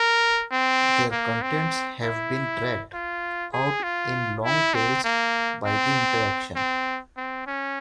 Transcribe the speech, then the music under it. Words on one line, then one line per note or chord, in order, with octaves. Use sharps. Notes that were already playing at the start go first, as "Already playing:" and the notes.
Their contents have been dragged out in long tails by the interaction.
Already playing: A#4
C4
A#3
C4
E4
F4
G#4
F4
E4
C4
A#3
C4
C4
C4
C#4